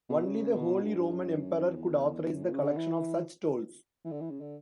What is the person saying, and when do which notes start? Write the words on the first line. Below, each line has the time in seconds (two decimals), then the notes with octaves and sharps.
Only the Holy Roman Emperor could authorise the collection of such tolls.
0.09 B2
0.25 C#3
0.53 B2
0.83 G2
0.99 G2
1.13 F#2
1.74 E2
2.32 F#2
2.43 A#2
2.52 C#3
2.62 D3
2.77 E3
4.04 E3
4.11 D3
4.21 E3
4.30 C#3
4.41 D3